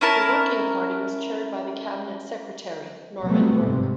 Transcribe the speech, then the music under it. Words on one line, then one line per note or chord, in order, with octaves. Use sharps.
The Working Party was chaired by the Cabinet Secretary, Norman Brook.
C#4 E4 A#4 A5
C3 F#3 G3 A3 B3 C4
G#2 C3